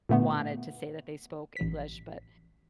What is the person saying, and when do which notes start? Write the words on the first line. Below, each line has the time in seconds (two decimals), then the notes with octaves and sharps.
wanted to say that they spoke English, but
0.09 A#2 D3 A3 B3
1.57 A1 B6